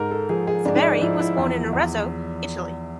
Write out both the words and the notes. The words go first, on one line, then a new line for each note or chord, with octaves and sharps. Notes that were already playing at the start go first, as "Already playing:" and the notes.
Severi was born in Arezzo, Italy.
Already playing: G#2 A#4
A4
F3 G#4
G#4
G#2 D4
D4
D#4
F3 E4
E4
E2
E2